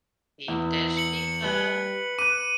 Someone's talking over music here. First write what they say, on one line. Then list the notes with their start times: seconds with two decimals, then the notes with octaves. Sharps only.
Deep dish pizza,
0.48 E2 E4
0.97 C#7 F#7
1.43 G3 B4
2.19 D6 F#6 D#7